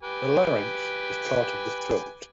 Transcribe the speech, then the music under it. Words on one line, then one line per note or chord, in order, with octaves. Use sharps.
The larynx is part of the throat.
G4 B4 G#5